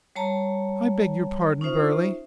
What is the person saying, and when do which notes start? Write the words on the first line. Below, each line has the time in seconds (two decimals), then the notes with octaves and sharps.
"I beg your pardon, Burly!"
0.16 G3 C#5 A5 A#5
1.61 C#4 D#4 F4 C5 E5